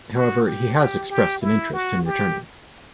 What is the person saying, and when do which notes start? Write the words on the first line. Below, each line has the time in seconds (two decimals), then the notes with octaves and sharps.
However, he has expressed an interest in returning.
0.15 F#4
0.46 G4
0.78 G4
1.10 G4
1.42 E4
1.74 F#4
2.05 G4